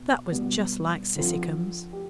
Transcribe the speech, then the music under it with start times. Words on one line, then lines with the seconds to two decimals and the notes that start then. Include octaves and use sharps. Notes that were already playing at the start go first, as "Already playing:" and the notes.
That was just like Cissycums.
Already playing: B2
0.31 B2 G3 B3
1.16 D3 F3 C4
1.93 G4